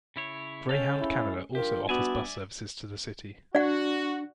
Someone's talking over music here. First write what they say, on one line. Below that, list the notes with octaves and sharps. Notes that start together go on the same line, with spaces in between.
Greyhound Canada also offers bus services to the city.
C#3 E4 C#5
G#3 C#4 A4 C#5 F5 G5
E4
G3 D4 F4 G4 A#4
B3 F#4 D5 E5 G#5
D4 F#4 D5 F#5